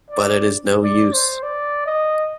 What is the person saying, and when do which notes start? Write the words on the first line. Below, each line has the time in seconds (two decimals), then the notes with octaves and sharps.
But it is no use.
0.10 D5
0.83 D5
1.13 C5
1.43 D5
1.86 D#5